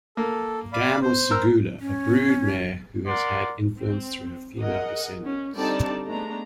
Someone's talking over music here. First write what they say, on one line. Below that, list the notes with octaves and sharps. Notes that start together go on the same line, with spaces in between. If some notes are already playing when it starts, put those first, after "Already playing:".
The dam was Segula, a broodmare who has had influence through her female descendants.
A#3 A4
D5 F5 B5
C5
A#4 E6 F6
C#4
A#4 D5 F#5 C6
C4
G#4 A#4 D#5 F#5
C#4
D3 G3 C4 D#4 D5 A5
G#3 A3 B3 D4 A#5